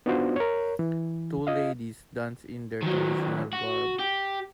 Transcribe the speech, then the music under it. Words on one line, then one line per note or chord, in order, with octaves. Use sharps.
Two ladies dance in their traditional garb.
B3 D4 D#4 F4 F#4 C5
A#4 C#5
E3
F4 D#5 F5
D#3 F#3
F#4
G4